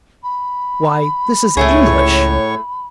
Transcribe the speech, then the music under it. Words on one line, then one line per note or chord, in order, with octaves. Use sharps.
"Why, this is English!"
B5
C#2 A2 A3 E4 G#4 C#5 C#6